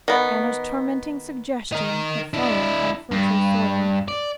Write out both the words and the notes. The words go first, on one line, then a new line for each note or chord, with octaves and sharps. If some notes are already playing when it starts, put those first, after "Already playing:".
Anna's tormenting suggestion had fallen on fertile soil.
D#3 B3
D#4 A#4
D4 E4
G2
D5